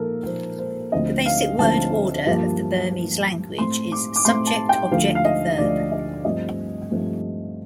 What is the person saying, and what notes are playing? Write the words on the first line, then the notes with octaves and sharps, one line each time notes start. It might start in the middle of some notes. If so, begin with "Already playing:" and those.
The basic word order of the Burmese language is subject-object-verb.
Already playing: A#2 F3 A#3 A4 A#4
A#2 F3 A#3 C5
C5
D2 D3 F3 C4 D#5
F5
D2 D3 F3 C4 A5
G2 F3 A#3
G2 F3 A#3
A2 A3 C4 C6
D6
D6
A2 A3 C4 C6
A5
G5
D2 D3 F3 F5
F5
D#5
D2 D3 F3 D5
D#5
G2 F3 A3 C4 D#5
G2 F3 A3 C4